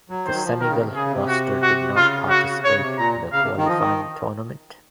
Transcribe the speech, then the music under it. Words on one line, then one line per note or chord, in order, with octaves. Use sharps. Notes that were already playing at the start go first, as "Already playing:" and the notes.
The Senegal roster did not participate in the Qualifying Tournament.
F#3
D#3 C5
F#3
F3
D#3 A#4
C#3
C3
C3
C#3 G#4
C3
F#4
F#4
C#3 F4
F#4
C3
C#3 C#5
C3
A#2 A#5
C#3 F5
C3
D#3
F3 D#5
D#3